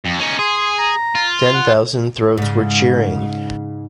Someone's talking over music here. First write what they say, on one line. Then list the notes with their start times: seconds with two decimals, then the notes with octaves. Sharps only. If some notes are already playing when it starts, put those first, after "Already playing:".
Ten thousand throats were cheering.
0.05 F2
0.19 C#4 D#4
0.39 G#4 C6
0.79 A#5
1.15 F4
1.54 F#5
2.38 G#2 C#3